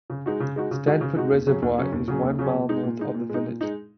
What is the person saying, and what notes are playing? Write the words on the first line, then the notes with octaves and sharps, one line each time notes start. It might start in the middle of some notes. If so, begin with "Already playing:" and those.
Stanford Reservoir is one mile north of the village.
C#3
G#3 D#4 F#4
C#3
G#3 D#4 F#4
C#3
G#3 D#4 F#4
C#3
G#3 D#4 F#4
D#2
C#3 F#3 C#4 G#4
D#2
C#3 F#3 C#4 G#4
D#2
C#3 F#3 C#4 G#4
D#2
C#3 F#3 C#4 G#4
A#2
G#3 D#4
A#2
G#3 D#4
A#2
G#3 D#4
A#2
G#3 D#4